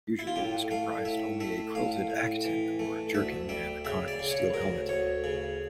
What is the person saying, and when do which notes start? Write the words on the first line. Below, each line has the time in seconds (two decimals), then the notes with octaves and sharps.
Usually this comprised only a quilted "aketon" or jerkin and a conical steel helmet.
0.19 E4
0.27 F4
0.36 A2 G4
0.71 A3 F5
1.05 A2 E5
1.40 A3 E5
1.75 A2 F5
2.10 A2
2.45 E3
2.79 A3
3.14 D2 E5
3.49 G3 E5
3.85 C#3 E5
4.08 D5
4.19 C#3
4.31 C#5
4.54 D2 A#4
4.89 D2 C#5
5.24 C#3